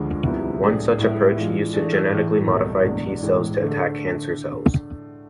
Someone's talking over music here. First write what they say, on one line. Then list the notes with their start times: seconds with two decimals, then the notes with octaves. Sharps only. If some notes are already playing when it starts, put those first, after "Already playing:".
One such approach used genetically modified T cells to attack cancer cells.
Already playing: D2 D3 F3 G#3
0.24 C2 C3 F3 B3 E4
0.61 A2 G#3 D4 G#4
0.99 A2 G#3 B3 E4 B4
1.36 E3 G#3 D4 F4
1.74 E3 A3 D4 G#4
2.10 A2 E3 A3
2.47 C2 B2 A3
2.84 E2 B2 G#3 D4
3.22 A2 E3 G#3
3.60 D3 A3